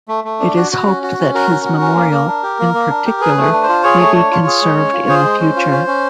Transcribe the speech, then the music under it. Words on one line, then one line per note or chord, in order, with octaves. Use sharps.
It is hoped that his memorial, in particular, may be conserved in the future.
A3
A3
D4
F#4
F#4
C#4
F#4
C#4
F#4 A#4
C#4
F#4
C#4
A#3
A#3
D4
G4
A#3
A#3
D4
G4
G#4 B4
A3
B4
D4
C5
F4
G#4 C#5
A3
D4
F4
G#4
G#3
C#4
F4
G#4 C5
G#3
C#4
F4
C#4
C#4